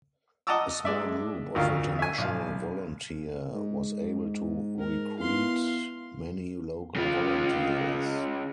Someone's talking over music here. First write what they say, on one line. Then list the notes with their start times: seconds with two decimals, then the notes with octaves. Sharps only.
A small group of international volunteer was able to recruit many local volunteers.
0.47 D#5 F#5 A5 A#5 D6 E6
0.85 G#3 D5 E5
1.55 G#1 D2 F4 A#4 F5
1.99 E5 G#5
2.18 B1 F5
3.54 G#2
4.79 A#4
5.19 B3 E4 F5 C6
6.96 C#3 F4